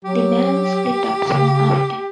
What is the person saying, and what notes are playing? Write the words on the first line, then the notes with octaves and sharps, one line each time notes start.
The band split up soon after.
F#3 G4
C#3